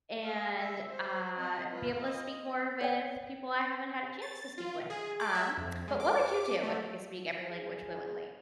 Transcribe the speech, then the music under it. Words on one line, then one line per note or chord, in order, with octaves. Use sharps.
and, uh, be able to speak more with people I haven't had a chance to speak with, um, but what would you do if you could speak every language fluently?
F5
E5
C5
C4 D#5
F4 B4
D#5
C#5 D5 G5
A6
F4
G#4
D6
E5
F2
G#3
D6
A3
G#4